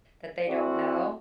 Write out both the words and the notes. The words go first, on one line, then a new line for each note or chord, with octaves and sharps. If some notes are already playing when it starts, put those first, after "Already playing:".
that they don't know,
C4 E4 F#4 G#4 A4 D5